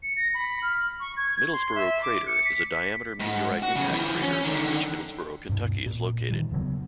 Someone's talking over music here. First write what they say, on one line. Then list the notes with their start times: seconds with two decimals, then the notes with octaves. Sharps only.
Middlesboro crater is a diameter meteorite impact crater in which Middlesboro, Kentucky, is located.
0.03 C#7
0.17 A#6
0.34 B5
0.63 F6
1.00 C#6
1.17 G#6
1.53 C6
1.75 E5
2.02 D6
2.27 C#7
2.45 B6
3.20 G#2
3.62 F#4
3.75 B1 C#3
3.93 E3 F3
4.22 C#4
4.44 D3 D#3
5.49 G2 B2
5.86 A#2
6.30 D#3 G3
6.51 E1 C#3 F#3 B3